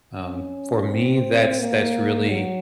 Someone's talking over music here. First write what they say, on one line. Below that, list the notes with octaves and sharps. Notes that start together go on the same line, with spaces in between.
um, for me, that's that's really
C#4
C4
A#3
F#3